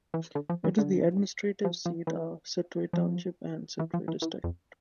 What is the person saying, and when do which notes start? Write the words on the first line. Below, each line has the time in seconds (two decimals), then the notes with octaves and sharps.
It is the administrative seat of Sittwe Township and Sittwe District.
0.14 E3
0.35 D3
0.49 F3
0.64 E3
0.78 D3
1.65 F3
1.86 F3
2.07 E3
2.93 F3
3.79 E3
3.94 F3
4.08 E3
4.22 E3
4.44 F2